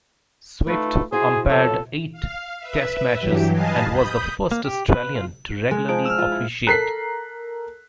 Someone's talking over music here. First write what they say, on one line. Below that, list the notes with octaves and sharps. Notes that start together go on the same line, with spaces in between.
Swift umpired eight Test matches, and was the first Australian to regularly officiate.
A3 D#4 F4 B4
E4 F#4 G#4 C5
F2 B3 A4 C#5
F5
B4 E5
G2 E3 F#3 G4
B4 D#5 F5 G#5 A5
B5 D#6 G6
A#3
G4
B4
F4
G#3
F3 D#4 G#4 D7
E6 F6
F4
E4
A4 A#4 A#5 F#6 B6 C7